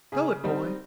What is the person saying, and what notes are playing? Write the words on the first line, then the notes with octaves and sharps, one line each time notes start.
"Go it, boy!"
C#3 G#4
G3 C4 D#4